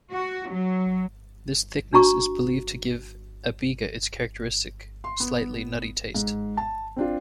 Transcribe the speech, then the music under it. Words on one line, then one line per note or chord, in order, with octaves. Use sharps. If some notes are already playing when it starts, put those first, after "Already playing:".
This thickness is believed to give a Biga its characteristic slightly nutty taste.
F#4
F#3
D4 F#4 A#5 C#6
C6
B3
G#2
A5
C4 D4 F4